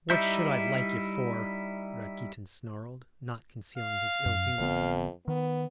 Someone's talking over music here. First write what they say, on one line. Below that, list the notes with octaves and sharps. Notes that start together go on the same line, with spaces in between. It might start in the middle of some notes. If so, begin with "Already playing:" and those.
"What should I like you for?" Rakitin snarled, not concealing his ill-humor.
G3 D#4 E4 E5 G6
F5
F#2
A1 F2 D3 B3
D#3 B3